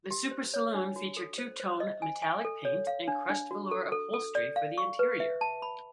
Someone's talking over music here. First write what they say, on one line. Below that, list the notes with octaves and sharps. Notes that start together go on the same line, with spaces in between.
The Super Saloon featured two-tone metallic paint and crushed velour upholstery for the interior.
G4
C5
C#5
D4
F#4
A4
C5
C5
D#5
G#5
G#5
A4
C#5
F5
D4
D4
F#4
A4
A4
A4
D5
F5
C#6
B4
E5
A5
B5